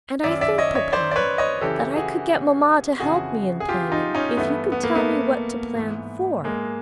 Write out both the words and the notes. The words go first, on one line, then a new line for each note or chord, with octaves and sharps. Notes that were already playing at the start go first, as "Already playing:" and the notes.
And I think, papa, that I could get mamma to help me in planning, if you could tell me what to plan for.
F#2 D#3 D5 E5
D5 E5
C#5 D#5
C#5 D#5
C5 D5
D5
B4 C#5
C#5 D#5
F#2 C#3 E3 G4 A4
F#4 G#4
F2 C#3 E3 F#4 G#4
G#4
F4 G4
D#4 F4
C#4 D#4
G2 E3 A3 B3
B3
A#3
A3 B3
G#2 E3
G#3 A#3